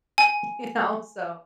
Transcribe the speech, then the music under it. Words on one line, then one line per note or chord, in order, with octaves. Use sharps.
You know? So,
G#5